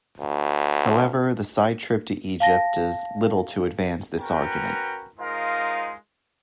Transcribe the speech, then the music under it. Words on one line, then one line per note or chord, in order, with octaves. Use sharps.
However, the side trip to Egypt does little to advance this argument.
D2
F5 A5 A#6
C#4 F#4 A#4 B4 G5 A#5
G#3 D#4 F4 A#4 C5 F5